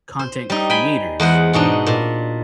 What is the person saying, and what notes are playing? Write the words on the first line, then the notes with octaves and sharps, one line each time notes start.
content creators
C5
G3 D#4
G5 G#5 B5
E2 G#3 C5 F#5
G#2 B2 D4 D#4
A#2